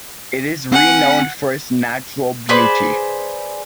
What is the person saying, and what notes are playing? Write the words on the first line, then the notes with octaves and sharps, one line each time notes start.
It is renowned for its natural beauty.
C4 F#5 G#5
G#4 B4 C5 D5